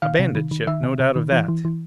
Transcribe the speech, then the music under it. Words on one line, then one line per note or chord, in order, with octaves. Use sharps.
A bandit ship, no doubt of that.
D#3 F5
C3
D#3
D#3
D#3 E5
C3
C3
D#3
E3
E3
E3